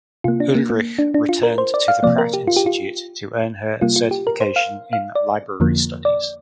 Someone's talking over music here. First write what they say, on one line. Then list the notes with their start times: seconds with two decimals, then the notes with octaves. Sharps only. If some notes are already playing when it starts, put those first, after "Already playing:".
Ulrich returned to the Pratt Institute to earn her certification in library studies.
0.24 C3 A#3 F4
0.40 D4
0.55 A#3
0.70 A#3
0.99 D4
1.14 D4
1.29 F4
1.43 A#4
1.58 C5
1.74 D5
1.88 F5
2.03 C3 F3 A#3 D5
2.18 A#4
2.33 G4
2.47 F4
2.56 G4
2.66 F4
3.81 C3 G3 A#3 F4
3.96 F4
4.11 G4
4.27 A#4
4.41 C5
4.56 F5
4.93 F5
5.15 D5
5.60 F2 D3 F3 A#3
6.05 D5